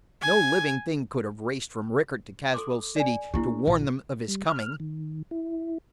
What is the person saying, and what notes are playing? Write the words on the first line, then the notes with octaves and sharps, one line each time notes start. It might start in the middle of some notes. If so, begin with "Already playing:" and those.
No living thing could have raced from Rickett to Caswell City to warn them of his coming.
G#5
A4 C6 D6
D5 G#5
A#3 D4 E4 G4
A#1
G3
F6
D#3
E4